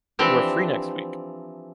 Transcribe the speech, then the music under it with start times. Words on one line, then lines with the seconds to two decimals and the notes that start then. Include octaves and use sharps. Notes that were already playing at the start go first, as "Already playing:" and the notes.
You are free next week.
0.19 E3 F3 C4 D4 G4